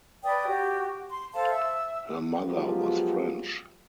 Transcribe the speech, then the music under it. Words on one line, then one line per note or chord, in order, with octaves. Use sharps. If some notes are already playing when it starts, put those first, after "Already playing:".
Her mother was French.
B4 D5 G5 D#6
F#4 G4
C6
A4 C5 F5 A5
E5 E6
F3 F#3 G#3 B3 F4 G4